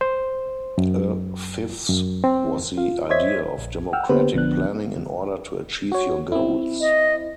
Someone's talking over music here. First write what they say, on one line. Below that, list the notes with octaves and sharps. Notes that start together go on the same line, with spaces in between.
A fifth was the idea of democratic planning in order to achieve your goals.
C5
F#2
F#2
C4
F4 F5
C5 C#5 D#5 E5 G#6 B6
A#1
F#5 G5 E6 F6
D3 A#3 B3 G4 B4 C5
A#1 D3 F3 B3 D4 F#6
F#4 C#5
C4 E4
D#5